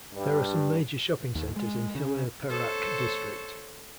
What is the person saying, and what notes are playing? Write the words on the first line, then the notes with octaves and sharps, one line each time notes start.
There are some major shopping centers in Hilir Perak district.
G2
D#2
G#3
C#3
A4 C5 C#5